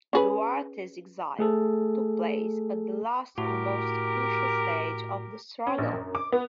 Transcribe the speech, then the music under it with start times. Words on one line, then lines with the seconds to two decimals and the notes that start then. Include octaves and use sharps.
Duarte's exile took place at the last and most crucial stage of the struggle.
0.13 C#4 G#4 B4
1.39 A3 G#4 A4
3.38 A2 F#4 G4 A#4
5.67 C#4
5.78 A#1
5.93 F#2
6.15 D6
6.32 B3